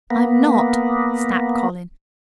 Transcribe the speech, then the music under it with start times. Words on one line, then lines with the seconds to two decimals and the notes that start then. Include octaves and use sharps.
"I'm not!" snapped Colin.
0.10 A#3 B3